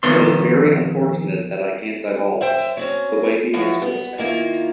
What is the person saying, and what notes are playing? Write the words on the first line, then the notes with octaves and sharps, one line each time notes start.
It is very unfortunate that I can't divulge... the way the answer was found...
F2 B2 D#3 B3 C6
F#2 C5 E5 G5
F#3 C4 C#4
E3 F3 F#4 C#5
B3
D#3 A#3 E4 F4